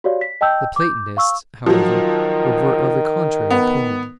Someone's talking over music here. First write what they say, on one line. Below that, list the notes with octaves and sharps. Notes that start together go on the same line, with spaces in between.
The Platonists however were of a contrary opinion.
F#4 G4 C#5 D5 F5
B6
D#5 G5 A5 E6 G6
D6 G6
F5 C#6 E6
D#3 F3 F#3
B3